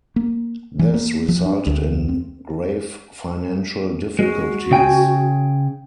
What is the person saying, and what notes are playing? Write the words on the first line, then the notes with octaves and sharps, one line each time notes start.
This resulted in grave financial difficulties.
A#3
E3
A#3
F3
D4
D2
C4
G#3 F#4
C#3 G5 G#5